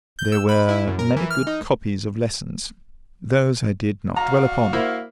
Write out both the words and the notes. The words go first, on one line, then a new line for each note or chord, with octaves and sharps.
There were many good copies of lessons: those I did not dwell upon.
G6
E6
B5
E4
F#2
A#4
E3
F6
D#4
F#4 D5 F5 A#5
A#3 E4 C5